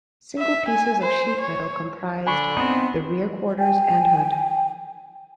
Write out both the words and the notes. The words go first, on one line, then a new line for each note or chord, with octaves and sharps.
Single pieces of sheet metal comprised the rear quarters and hood.
E5
G#5
C5
C#5
D3 D4 G#5 B5 C#6
B3 C4 D#4
G5 G#5